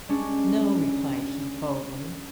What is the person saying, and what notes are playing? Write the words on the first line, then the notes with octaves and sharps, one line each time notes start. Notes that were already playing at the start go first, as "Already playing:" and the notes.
'No,' replied he, boldly.
G3 G#3 C#4 D4